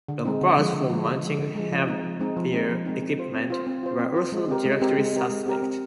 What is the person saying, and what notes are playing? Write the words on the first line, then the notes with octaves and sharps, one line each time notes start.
Long bolts for mounting heavier equipment were also directly suspect.
D3
G#3 C4 D#4
D3
F3 G#3
D3
F3 G#3
D3
F3 G#3
D3
F3 G#3
F3
G#3 C4 D#4
F3
G#3 C4 D#4
F3
G#3 C4 D#4
F3
G#3 C4 D#4
C4
F4 C5
C4
F4 C5
C4
F4 C5
C4
F4 C5
G#3
C4 G4 A#4
G#3
C4 G4 A#4
G#3
C4 G4 A#4
G#3
C4 G4 A#4
C4